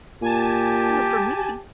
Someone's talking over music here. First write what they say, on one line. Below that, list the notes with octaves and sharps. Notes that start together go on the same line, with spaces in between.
You know, for me,
A#2 G4 G#5 A5